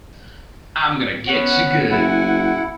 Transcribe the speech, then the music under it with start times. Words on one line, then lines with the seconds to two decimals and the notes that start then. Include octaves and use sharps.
I'm Gonna Getcha Good!
1.27 B3 C#4 F#5
1.91 F#1 E4 G#5